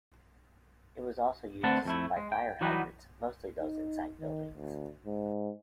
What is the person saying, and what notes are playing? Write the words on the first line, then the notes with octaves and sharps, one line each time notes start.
It was also used to supply fire hydrants, mostly those inside buildings.
D3 A3 C4 B4 F#5 A5
F2 A3 E4
G#3
G5
E3 F#3 G3 D#4 F#4 B4
D#4
D#3
D2
G#2